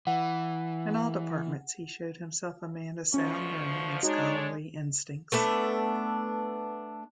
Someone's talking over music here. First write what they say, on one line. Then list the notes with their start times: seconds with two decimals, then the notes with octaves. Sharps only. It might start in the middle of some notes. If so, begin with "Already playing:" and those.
In all departments he showed himself a man of sound learning and scholarly instincts.
0.07 E3 F#5
3.14 D2 B2 F3 C#4 C#6
4.03 G#3 D4 D#4 F#4 C#5
5.32 A3 B3 D4 A4